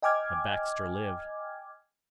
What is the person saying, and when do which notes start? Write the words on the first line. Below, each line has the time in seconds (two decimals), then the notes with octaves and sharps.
But Baxter lived.
0.02 D#5 G5 G#5 D6 F6 G#6